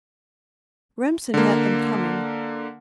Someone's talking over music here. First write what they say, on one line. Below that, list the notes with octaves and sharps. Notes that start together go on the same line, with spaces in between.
Remsen met them coming.
D3 A#3